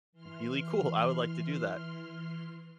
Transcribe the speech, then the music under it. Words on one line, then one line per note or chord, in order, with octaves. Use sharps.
really cool. I would like to do that."
E3 C6 F6